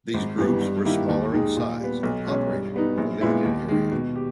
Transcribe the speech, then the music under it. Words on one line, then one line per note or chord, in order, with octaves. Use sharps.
These groups were smaller in size and operated with a limited area.
G#1
G2 E3 G3 B3
G2
D#3 A#3 E4 G4
D#2
D#3 G#3 D#4 G#4
A#2
G3 B3
B1
B2 G#3 C#4
G2
G3 B3 D#4
A#1
A#2 G#3 B3 E4
D#2
D#3 G#3
B2
G4